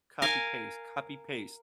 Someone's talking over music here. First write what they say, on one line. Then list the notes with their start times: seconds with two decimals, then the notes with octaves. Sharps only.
copy, paste, copy, paste.
0.22 A#4 F5 G#5